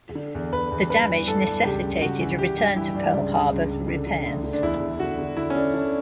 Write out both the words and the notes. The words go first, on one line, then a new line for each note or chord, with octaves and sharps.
The damage necessitated a return to Pearl Harbor for repairs.
D3
E2
E2 B4
E2
G2 B4
E3
G2 A4
G2
C#2 G4
C#2
C#2 F#4
E3
E3 G4
G2 G4
E3 E4
G2 D4
C#2
C#2
C#2
C#2
D3
D3
D2
D3
D4
E2 E4
E2
D3 F#4
D3
D3 E4
C#4
D3 D4
D3 D4